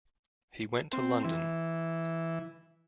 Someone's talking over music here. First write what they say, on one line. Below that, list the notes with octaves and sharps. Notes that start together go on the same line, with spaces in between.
He went to London.
C4
E3